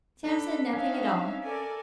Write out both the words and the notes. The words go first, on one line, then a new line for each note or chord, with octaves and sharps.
Sam said nothing at all.
D4 A4 B5
C4 C#4 D#4 E5 F5
A4 A#4 D5 G#5